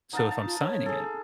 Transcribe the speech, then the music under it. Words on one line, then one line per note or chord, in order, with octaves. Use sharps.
So, if I'm signing it,
D#4 F5 F#5 A5
A5
F4
C#5
G#4 A4